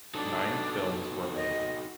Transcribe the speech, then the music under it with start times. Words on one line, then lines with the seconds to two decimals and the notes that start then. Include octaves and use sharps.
Nine films were made.
0.14 D4 D#4 F#4 A4
1.35 D#5